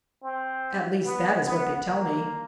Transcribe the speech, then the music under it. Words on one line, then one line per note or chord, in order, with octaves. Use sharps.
At least that is what they tell me.
C4
B3
B3
A#3